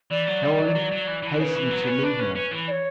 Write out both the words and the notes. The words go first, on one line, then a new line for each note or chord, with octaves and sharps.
Helen hastened to meet him.
E3 D5
F#3
G3
F#3
F#3
F#3
E3
E3
C#3 B4 C#5
E3
F#3
B3
C#4
D4
C#4
C#4
E3
D5
C#5